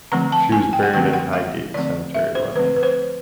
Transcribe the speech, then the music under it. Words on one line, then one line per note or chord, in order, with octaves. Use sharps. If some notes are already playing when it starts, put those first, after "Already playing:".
She was buried in Highgate Cemetery, London.
D3 F3 A3 C4 A#5
A5
G#5
G5
F#5
D3 F3 A3 C4 G5
F#5
F5
D3 F3 A3 C4 D5
E5
C5
D3 F3 A3 C4 B4
B4
C5